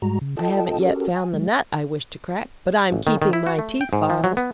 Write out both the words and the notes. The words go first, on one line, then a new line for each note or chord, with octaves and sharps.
I haven't yet found the nut I wish to crack, but I'm keeping my teeth filed.
G#2 G3 G#3 F#4 A#5
C#3
F4 A4 D#5 G5 A5
C#4 F#4 G4 A4 A#4
G#5
F#3 G#3
A1
D#3
D#3
E4
F#4
A3
G5
G#2
F3
F#3
B3